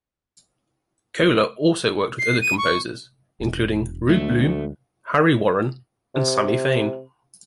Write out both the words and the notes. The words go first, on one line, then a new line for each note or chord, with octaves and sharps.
Koehler also worked with other composers, including Rube Bloom, Harry Warren and Sammy Fain.
C7
D#7
C#6
E1
D2 G#3 A3
C3